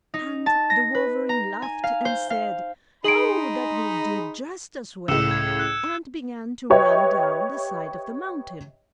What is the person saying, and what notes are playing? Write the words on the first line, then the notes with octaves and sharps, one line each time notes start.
And the wolverine laughed and said: 'Oh, that will do just as well'; and began to run down the side of the mountain.
D#4
A5
A#6
B4
A#5
G#5
F5
C5
F5
D#4 G#4 D#5 B5 C6 D7 F#7
C#2 A2 E6 C#7 E7
G#6
F#6
G4 B4 C#5 D#5 E5 G5